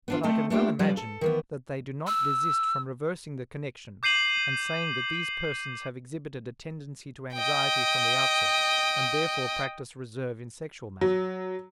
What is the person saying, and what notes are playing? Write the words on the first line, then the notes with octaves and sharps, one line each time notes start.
But I can well imagine that they do not desist from reversing the connection and saying that these persons have exhibited a tendency to anxiety from the outset and therefore practice reserve in sexual matters.
B3 D4 F4
A3 C4 A4 D#5
A3 A#3 D4 E4 F4 G4
F3 G3 C#4 B4 D5
A4
D#3 E3 B3
E6
D6 G6 C7 D#7 F#7
D#5 G5
F#3